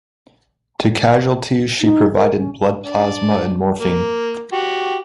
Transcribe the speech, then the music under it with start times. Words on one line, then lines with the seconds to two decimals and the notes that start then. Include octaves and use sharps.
To casualties she provided blood plasma and morphine.
1.81 D#4
2.15 A#4
2.38 C#4
2.84 D4
3.78 A#3
4.52 F#4 G4